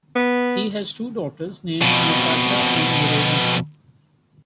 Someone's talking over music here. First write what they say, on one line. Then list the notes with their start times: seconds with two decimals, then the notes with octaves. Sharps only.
He has two daughters named Natasha and Marielle.
0.15 B3
1.81 F2 B2